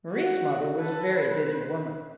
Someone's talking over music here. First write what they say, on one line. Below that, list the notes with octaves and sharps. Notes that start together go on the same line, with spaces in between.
Mari's mother was a very busy woman.
F#4 F#5
A4 B4
B4 C5